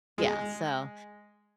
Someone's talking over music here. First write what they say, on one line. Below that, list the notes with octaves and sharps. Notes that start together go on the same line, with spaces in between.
Yeah, so
G#3